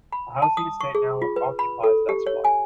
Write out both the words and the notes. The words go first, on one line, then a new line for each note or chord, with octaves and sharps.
A housing estate now occupies that spot.
B5
A5
D#6
C#6
G#4
F4
B4
B5
A4
G4
C#5
G#5